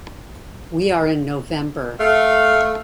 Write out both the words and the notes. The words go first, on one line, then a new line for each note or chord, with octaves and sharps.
We are in November.
A3 F5